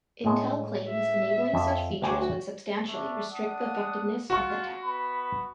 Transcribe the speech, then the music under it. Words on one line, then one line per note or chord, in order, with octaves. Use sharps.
Intel claims enabling such features would substantially restrict the effectiveness of the attack.
A2 G#3
E5
F2
D2 F#4 G4 G#5
A3 D4
D4 F#5 D#6
F4 F#4 C#6
B3 B5